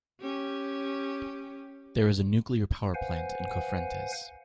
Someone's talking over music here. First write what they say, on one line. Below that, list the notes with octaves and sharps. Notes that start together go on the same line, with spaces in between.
There is a nuclear power plant in Cofrentes.
C#4 G4
B4 C5 F5 F#5 G#5